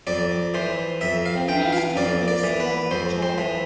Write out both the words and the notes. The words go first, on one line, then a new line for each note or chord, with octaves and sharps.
The news drew criticism from China.
F2 D5
E3 C5
F2 E5
F5
E3 G5
F5
F2 D5
D5
E3
B4
F2 C5
C5
E3